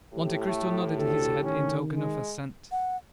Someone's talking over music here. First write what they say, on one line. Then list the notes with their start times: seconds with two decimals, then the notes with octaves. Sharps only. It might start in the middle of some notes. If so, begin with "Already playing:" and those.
Monte Cristo nodded his head in token of assent.
0.14 A2 G4
0.44 A3
0.98 D2 A4
1.43 D#3 C#4
1.93 G#3
2.72 F#5